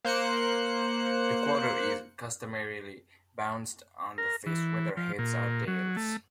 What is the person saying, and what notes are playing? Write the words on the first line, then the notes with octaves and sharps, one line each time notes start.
The quarter is customarily bounced on the face whether heads or tails.
A#3 C5 F#6 C#7
A#4
E3
F3
A#2
F#3
A3